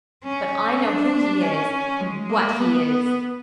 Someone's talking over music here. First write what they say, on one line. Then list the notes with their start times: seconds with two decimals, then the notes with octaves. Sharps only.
But I know who he is and what he is.
0.24 C#4
0.84 D4
1.41 C#4
2.00 G#3
2.29 A#3
2.59 B3